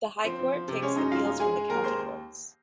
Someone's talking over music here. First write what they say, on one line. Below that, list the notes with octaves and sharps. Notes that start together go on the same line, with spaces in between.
The High Court takes appeals from the County Courts.
F3 C4 C5
F3
F3
C3
G#3 C#4 C#5
F#2 D#4 D#5
F#2 F4 F5
F#2
G#3 G#4 G#5
G#3
D#2 A#4 A#5
D#2 C5 C6